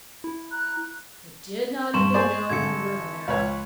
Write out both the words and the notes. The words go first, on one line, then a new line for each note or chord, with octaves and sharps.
"I did not even know you were there."
E4
A#5 F#6
G2 C6 C#6 E7
G#4 C5 D5
G#1 D3 G#6 C#7
C#2 B4 C#5